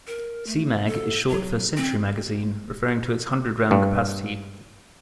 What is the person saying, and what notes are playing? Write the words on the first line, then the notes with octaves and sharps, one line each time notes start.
"C-Mag" is short for "century magazine", referring to its hundred-round capacity.
A#4
A3
A4
F#3
C4
G2